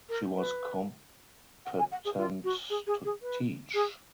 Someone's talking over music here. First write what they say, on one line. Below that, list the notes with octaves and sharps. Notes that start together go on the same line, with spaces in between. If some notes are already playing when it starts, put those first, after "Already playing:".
She was competent to teach.
A#4
B4
F#5
G#5
F#5
G#4
F4
F#4
G#4
G#4
G#4
B4
G#4